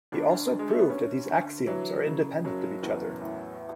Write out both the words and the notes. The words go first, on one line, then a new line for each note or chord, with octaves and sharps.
He also proved that these axioms are independent of each other.
D2 D4
D2
G#3
A3
B3
D2 C#4
D3
E3 F#3
C#3
F#1 F#3
E2
A2